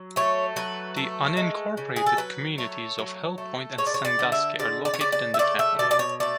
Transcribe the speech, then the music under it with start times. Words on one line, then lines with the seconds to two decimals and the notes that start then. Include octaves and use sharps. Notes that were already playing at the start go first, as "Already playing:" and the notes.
The unincorporated communities of Hill Point and Sandusky are located in the town.
Already playing: F#3
0.16 A3 C#5
0.56 F#3 B4
0.97 A3
1.37 G#3
1.77 C#3
1.96 G#4
2.06 A4
2.17 F#3 B4
2.58 A3 C#5
2.98 F#3
3.38 A3
3.78 G#3 C#5
3.86 D5
3.94 C#5
4.05 D5
4.19 D3
4.32 E5
4.59 G#3 D5
4.85 D5
4.94 C#5
4.99 C#3 D5
5.12 D5
5.34 E5
5.39 A3 D5
5.59 E5
5.79 B2 D5
5.91 D5
5.99 C#5
6.20 A3 D5